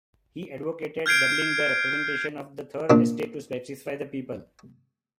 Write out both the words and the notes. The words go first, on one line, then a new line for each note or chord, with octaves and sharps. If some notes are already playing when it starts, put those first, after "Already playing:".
He advocated doubling the representation of the Third Estate to satisfy the people.
F6 G6 G#6 C7 D7
A#2 D4